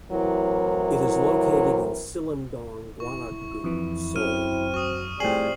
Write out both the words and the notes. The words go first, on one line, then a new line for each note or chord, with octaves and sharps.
It is located in Sillim-dong, Gwanak-gu, Seoul.
A2 E3 F#3 C4 E4 A#4
E4 C#6
F2 E3
F#2 F#3 C4 F6 D#7
F#4 C#6 D#6
A2 F3 G3 C4 G#4 C7 F#7